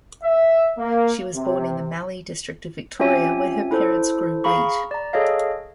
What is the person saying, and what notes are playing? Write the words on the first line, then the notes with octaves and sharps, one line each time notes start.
She was born in the Mallee district of Victoria where her parents grew wheat.
E5
A#3
C3
C4 C#4 F4 G4 E5 G#5
E4 A4 C5
G#4 F5 A#5 B5 C#6
D5 A#5
G#4 A4 C#5 D#5 F5